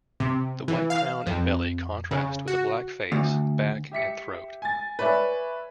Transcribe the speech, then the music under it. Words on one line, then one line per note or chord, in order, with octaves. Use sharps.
The white crown and belly contrast with the black face, back and throat.
C3
E3
F5
F2
C#3
F#4
D2
G4 E5 B6 C#7
G#5 A6
B4 C#5 D5 E5 G#5